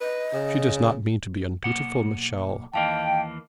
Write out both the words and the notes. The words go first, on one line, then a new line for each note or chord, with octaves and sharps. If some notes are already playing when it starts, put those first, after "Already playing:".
'She does not mean to be undutiful, Michel.'
B4 D#5
C#3
B1 A#3 F#5
D#2 E3 A#3 D#5 F5 G5 A5